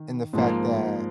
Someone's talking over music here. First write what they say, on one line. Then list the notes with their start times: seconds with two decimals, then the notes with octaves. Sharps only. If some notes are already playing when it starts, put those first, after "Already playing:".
in the fact that
Already playing: D#3
0.33 G#2 F3 A#3